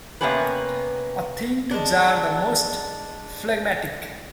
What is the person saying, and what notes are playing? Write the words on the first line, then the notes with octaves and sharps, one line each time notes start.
A thing to jar the most phlegmatic.
C3 A#3 B3 C#4 G4 B4
G#3 D4